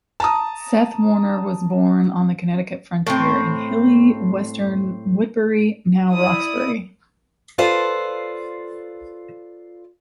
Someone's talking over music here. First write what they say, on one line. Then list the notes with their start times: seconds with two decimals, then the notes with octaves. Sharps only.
Seth Warner was born on the Connecticut frontier in hilly western Woodbury, now Roxbury.
0.20 A5 A#5 D#6
3.07 A2 C4
6.12 E4 D5 D#6
7.58 F4 A4 B4 C5 D5 F5